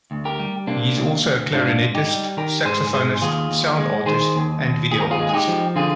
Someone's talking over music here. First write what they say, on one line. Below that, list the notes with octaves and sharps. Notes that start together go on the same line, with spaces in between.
He is also a clarinetist, saxophonist, sound artist, and video artist.
D2
G4 A#4
G3
C3 A#3 D4
D2
D2
G#2 D4 F4
G#2
D#4 G4
G3
D#3 G4 A#4
G#2 G#4 C5
G#2 G#4 C5
D#2 F4 G#4
D#2
G#3
D#3 G#4 C5
D#2
D#2
D#2 G#4
A#4
F4 G#4
G#3
G#4
D#4 G4
F3
D3 F4 G#4